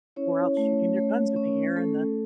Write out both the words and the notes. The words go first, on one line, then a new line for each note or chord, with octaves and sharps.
were out shooting their guns in the air, and the
C#4 E4 C#5
A3
A3
C#4
A3 A4